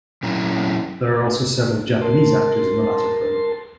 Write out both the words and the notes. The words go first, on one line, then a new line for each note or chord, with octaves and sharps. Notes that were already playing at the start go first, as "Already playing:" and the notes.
There are also several Japanese actors in the latter film.
A#2 F#3 C#4 E4 A#5
A#4 A5 C6